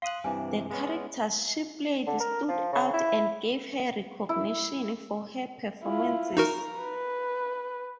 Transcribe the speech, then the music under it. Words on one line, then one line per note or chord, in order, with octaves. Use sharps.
The characters she played stood out and gave her recognition for her performances.
F5 C6 D#6 F#6
G2 C3 E3 G#5
G#3 B3 C#4
D3
A#4
F3
C#3
E4
E4
E4 F4
D#4 F#4 A#4 A#5
B4